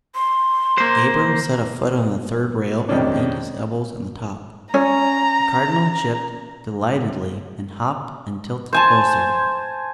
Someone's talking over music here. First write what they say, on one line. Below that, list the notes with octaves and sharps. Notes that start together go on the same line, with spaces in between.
Abram set a foot on the third rail and leaned his elbows on the top. The Cardinal chipped delightedly and hopped and tilted closer.
C6
A#3 C5
F2 C3 D#3 G#3 C#4 D4
C#4 A#5
C5 G#5 A5